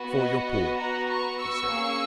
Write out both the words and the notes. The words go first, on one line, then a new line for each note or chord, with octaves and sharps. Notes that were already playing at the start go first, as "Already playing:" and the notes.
"For your poor," he said.
Already playing: B3 F#4
D#5 F#5
D#5 F#5
F#5 A#5
A#5 C#6
C#6 E6
A#3 C#4 G#4